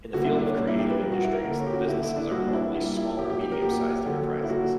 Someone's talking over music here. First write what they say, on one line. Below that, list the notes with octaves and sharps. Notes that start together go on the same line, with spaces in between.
In the field of creative industries, the businesses are normally small or medium-sized enterprises.
D3 G3 A#3 F#4
E4
D4
C#4
A#2 G3 A#3 D4
E4
G4
B4
A#2 G3 A#3 A#4
F#4
E4
A#4
D3 A#3 A#4
C#4
G4
F#4
D3 A#3 E4
E4
D4
A#2 G3 A#3 F#4
D4
E4
A#2 G3 A#3 E4
E4
A#2 F#3 A#3 G4
G4
G4
A#4
A#2 F#3 A#3 G4
D3 F#3 A#3
E4
D3 F#3 A#3 F#4